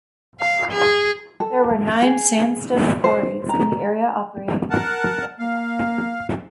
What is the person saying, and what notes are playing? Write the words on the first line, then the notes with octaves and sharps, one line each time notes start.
There were nine sandstone quarries in the area operating at the peak of production.
F5
G#4
A4
G#4
C5
A#5
A#4 F#5 A5
A#3 F5